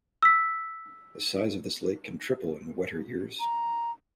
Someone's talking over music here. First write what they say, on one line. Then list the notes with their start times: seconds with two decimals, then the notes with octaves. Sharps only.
The size of this lake can triple in wetter years.
0.22 E6 B6
3.40 A#5